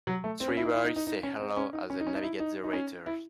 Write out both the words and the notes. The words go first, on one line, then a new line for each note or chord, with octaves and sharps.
Three boys say hello as they navigate the waters.
F#3
A3
C4
C#4
E4
D#4
E4
D#4
D#4
D#4
C#4
C4
C#4
D#4
C#4
D#4
C#4
D#4
E4
D#4
D#4
C#4
E4